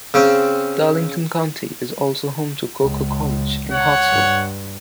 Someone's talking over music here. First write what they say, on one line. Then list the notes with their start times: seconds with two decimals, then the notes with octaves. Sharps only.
Darlington County is also home to Coker College in Hartsville.
0.14 C#3 C4
2.82 C#2
3.71 C#5 F#5
4.08 G2